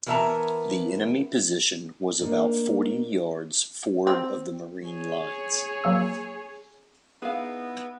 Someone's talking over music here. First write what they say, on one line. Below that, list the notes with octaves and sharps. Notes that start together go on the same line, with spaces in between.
The enemy position was about forty yards forward of the Marine lines.
E3 B3 A#4 E5 A5 A#5
A#3 D4 D#4
C4
G#4 C#5
F#3 A#3 E6
B3 D#4 E4 G#4 F5